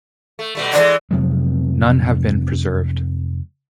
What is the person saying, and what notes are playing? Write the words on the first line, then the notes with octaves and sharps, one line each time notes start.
None have been preserved.
A3
B2 G3 A3
D3 E3 G#3 D5
F2 C3 F#3 G#3